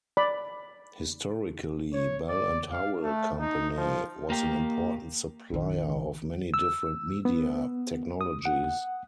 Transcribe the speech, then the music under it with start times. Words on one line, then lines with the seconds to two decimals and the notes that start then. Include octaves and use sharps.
Historically, Bell and Howell Company was an important supplier of many different media technologies.
0.17 D5 B5
1.92 C#5
2.28 D5
2.71 F5
3.03 A3
3.39 D#4
3.76 F3
4.30 A#3 G4
5.50 A#1 D#3
6.54 E6
7.25 B3
8.21 D#6
8.45 F#5